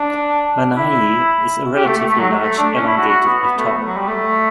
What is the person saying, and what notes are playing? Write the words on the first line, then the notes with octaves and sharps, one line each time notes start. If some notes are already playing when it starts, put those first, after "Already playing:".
Manihi is a relatively large elongated atoll.
Already playing: D4
E4
G4
A3
A3
A3
F#3
A3
D4
C#4
E4
F#4
F#4
B3
B3
A3
F#3
G3
A3